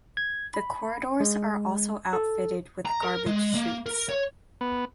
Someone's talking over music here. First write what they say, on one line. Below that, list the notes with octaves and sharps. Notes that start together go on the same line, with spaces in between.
The corridors are also outfitted with garbage chutes.
G#6
B5
G#3
A4
A#5
A#4
G#3
A#3
A#4
C#5
B3